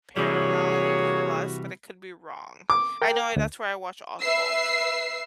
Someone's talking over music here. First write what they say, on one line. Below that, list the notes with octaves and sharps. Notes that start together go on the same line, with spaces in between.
Paramount Plus, but it could be wrong. I know that's where I watch Oswald.
C3 E3 G3 A#3 F#4 G#4 C#5
D6
A#4 G5
D2
B4 E5 E6 C7